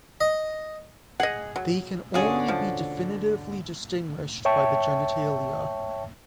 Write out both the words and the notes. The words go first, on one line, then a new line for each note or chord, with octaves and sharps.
They can only be definitively distinguished by the genitalia.
D#5
G#4 D#5 F#5
F#3
D3 C#4 F4 F#4 G#4
F3
C#5 E5 G5 A5 C#6